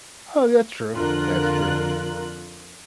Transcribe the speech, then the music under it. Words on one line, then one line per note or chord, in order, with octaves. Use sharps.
Oh, that's true, that's true.
F2 D3 F4 A#4 F#6